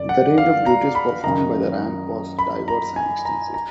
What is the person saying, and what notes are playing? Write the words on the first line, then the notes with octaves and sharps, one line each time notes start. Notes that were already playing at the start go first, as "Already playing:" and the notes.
The range of duties performed by the rank was diverse and extensive.
Already playing: F#2 D3 D5
F#5
F5
A#5
B5
F#2 D#3 A#5
B5
A#5
G#5
A#5
A#5